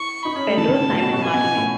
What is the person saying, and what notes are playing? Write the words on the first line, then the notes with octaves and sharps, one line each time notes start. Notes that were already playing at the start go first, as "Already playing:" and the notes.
Pedro Simon Martinez.
Already playing: E4 C#6
D#4 B5
C#4
A3
E3 A5
D#3
C#3
A2
B2
B2
B2 G#5
B2
B2
A2